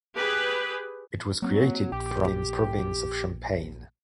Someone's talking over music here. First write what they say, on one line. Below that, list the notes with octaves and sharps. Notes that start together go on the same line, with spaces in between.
It was created from the province of Champagne.
G4 G#4 B4
F#3 A#3 C4
A#1 G4